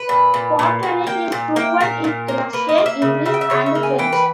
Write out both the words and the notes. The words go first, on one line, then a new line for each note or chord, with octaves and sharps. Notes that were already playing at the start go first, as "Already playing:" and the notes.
Potanin is fluent in Russian, English, and French.
Already playing: B4
A#2
A#2
A#2
A#2
A#3 G5
A#2
A#3 G5
A#2 A#4
A#2
A#3
A#3 B4
D#5
A#3
E5
C#3
C#3 E5
G5
E5
C#3 C#5
E5
A#3
G#5
E3 G5
B4